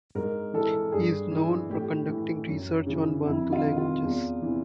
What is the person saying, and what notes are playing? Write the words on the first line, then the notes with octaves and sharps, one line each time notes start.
He is known for conducting research on Bantu languages.
G#2 A#4
E3 A4
G2 G#4
E3
A2 G4
E3
F#2
C#3 E3
F2 E4
F4
C3 D#3
F4
E2
C3 E3